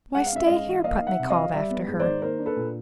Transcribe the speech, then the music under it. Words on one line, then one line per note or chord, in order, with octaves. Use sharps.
"Why, stay here!" Putney called after her.
G#3 F#5
F5
C#4 E5
G#2 D#5 F5
E3
A#3 D#5 F5
D#4
E5 F#5
C3
D#5 F5
F3
G3 D5 E5
B3
G#2
C5 D5
D#3
A#3 A#4 C5
D4
A4 B4
A#2